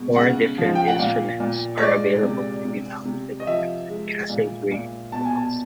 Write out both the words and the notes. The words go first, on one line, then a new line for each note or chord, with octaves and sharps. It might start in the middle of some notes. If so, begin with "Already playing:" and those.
Four different instruments are available to be mounted at the Cassegrain focus.
Already playing: B2 G#3
C#3 F#5
F3
G5
F#5
A#2 F5
A#2
C#5
G#3 D5
C3
C3
C3
D#5
F3 E5
G#3
A#2
A#2
B2 A5
G#5
A5